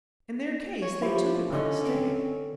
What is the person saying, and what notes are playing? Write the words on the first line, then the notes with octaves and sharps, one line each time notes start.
In their case they took it by mistake.
C#5
F3 E4 G4
D3 C#4 D#5
C4